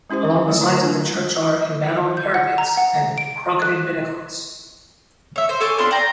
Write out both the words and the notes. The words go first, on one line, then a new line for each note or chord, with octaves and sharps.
Along the sides of the church are embattled parapets and crocketed pinnacles.
G#3 C#4 E4 G4 C5
D#5
F#3 A3 D#5
D3 A3 E4 C5 F#5
D4
G6
F#5
A#5
F#5
D7
F#6
C#5 E5
C5
A4 C#5 G#5 D6
B3 D4 F4 C6
D5 G5 A#5